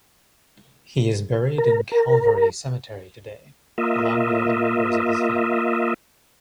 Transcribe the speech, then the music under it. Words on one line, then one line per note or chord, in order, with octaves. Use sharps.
He is buried in Calvary Cemetery today, along with other members of his family.
A#4
A#4
A#3 F4 D#5 E5